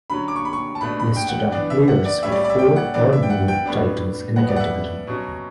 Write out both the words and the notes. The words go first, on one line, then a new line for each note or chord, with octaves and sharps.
Listed are players with four or more titles in a category.
D3 F#3 C#4 B5
D6
C#6
B5
C#6
A5
B2 A3 D4 B5
B5
G5
F#5
E3 B3 D4 D5
E5
F#5
D5
A2 G3 C#4 E5
D5
D5
E5
G5
F#5
E3 B3 D4 D5
E5
G5
F#5
G5
A2 G3 B3 D4
B2 G3 B3 F#5
D5
F#5
E5
B2 F#3 C#4